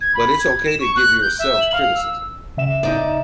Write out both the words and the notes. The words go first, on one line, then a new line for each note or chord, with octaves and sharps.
but it's okay to give yourself criticism,
G#6
B5
G#6
E7
C#6
F#6
G6
E5
F#7
F5
E6
C#3 E5 E7
D#4 D5